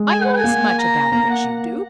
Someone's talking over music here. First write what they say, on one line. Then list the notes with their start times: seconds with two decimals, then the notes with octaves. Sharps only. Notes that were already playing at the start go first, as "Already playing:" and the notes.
"I know as much about it as you do!"
Already playing: G#3
0.09 G#5
0.23 F#5
0.37 G#5
0.44 A#3
0.79 A#5
1.12 A#3 A#5
1.30 F#5